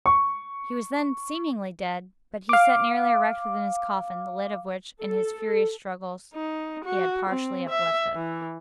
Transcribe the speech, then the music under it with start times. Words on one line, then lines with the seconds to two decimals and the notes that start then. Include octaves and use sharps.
He was then seemingly dead; but he sat nearly erect within his coffin, the lid of which, in his furious struggles, he had partially uplifted.
0.06 C#6
2.49 F5 D6
5.00 A4
6.34 D#4
6.85 F#4
7.30 C4
7.69 E5
8.15 E3